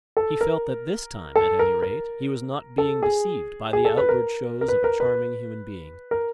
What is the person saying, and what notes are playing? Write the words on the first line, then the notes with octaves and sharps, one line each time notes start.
He felt that this time at any rate he was not being deceived by the outward shows of a charming human being.
A4
A#4
A4
A#4
A#4
A4
G#4
G#4
A4
B4
A#4
A#4
B4
A#4
B4
A#4